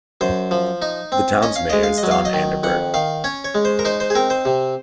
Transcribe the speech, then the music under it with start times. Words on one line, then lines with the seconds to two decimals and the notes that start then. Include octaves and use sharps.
The town's mayor is Don Anderberg.
0.21 F#2 C5
0.51 F3
0.82 D#4
1.12 C4
1.43 C#4 D#5
1.56 F5
1.70 G#3 D#5
1.83 F5
1.98 D#5
2.03 F#3
2.11 F5
2.25 D#5
2.33 D#3
2.63 F2 F#5
2.94 D#3 F5
3.24 C#4 C#5
3.44 C#5
3.55 G#3
3.65 C5
3.79 A#4
3.85 D#4 C5
4.00 C5
4.10 G#4
4.15 C4 A#4
4.30 C5
4.45 C3